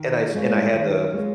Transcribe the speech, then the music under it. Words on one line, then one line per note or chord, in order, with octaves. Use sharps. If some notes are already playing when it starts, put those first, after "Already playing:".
and I s and I had to
Already playing: D#3
G#3 F4 C#5
D#3
G#3 F4 C#5